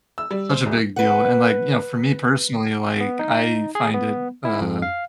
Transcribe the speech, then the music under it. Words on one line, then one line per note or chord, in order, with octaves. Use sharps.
such a big deal, and, like, you know, for me personally, like, I find it, uh,
E6
G3
C5
D#1
B4 F#5
B3
D#4
G#4
B3
E4
F2
F5